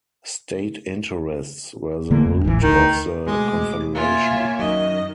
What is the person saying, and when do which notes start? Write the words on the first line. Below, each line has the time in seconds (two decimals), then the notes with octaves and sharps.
State interests were the route of the Confederation.
2.11 D3 A3 A#3
2.26 F2
2.45 D1 A1 E3
2.62 D2 D#3
3.27 D2 B2 G#3 D6
3.95 A#3 F4 C#5 E5 G#5
4.59 F#2 D#3 F#3 D#5